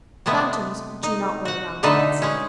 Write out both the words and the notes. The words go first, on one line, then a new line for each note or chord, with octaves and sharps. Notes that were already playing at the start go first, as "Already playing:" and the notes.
Phantoms do not wear round hats.
C3 G#3 A3 B3
D#4
F#4 F#5
B2 D3 A3 D#4 A4 B4
G#3 C#4